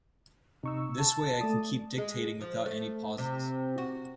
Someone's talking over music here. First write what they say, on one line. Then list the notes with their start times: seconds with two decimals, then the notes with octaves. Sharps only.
This way I can keep dictating without any pauses.
0.64 C3 D#4 C#6 E6
0.99 A5
1.41 A3 D5 D#6
1.98 G#3
2.41 F3
2.66 A3
3.18 C3
3.78 F#4